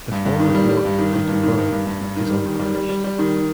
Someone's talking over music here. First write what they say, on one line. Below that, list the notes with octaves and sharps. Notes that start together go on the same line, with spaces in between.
The former York County Borough is unparished.
G2
G2
D#3
G3
G3
G2
D#3
D#3
G2
D#3
G2
G2
G2
G2
D#3
G3
D#3
G3
G3
G3
G3
D#3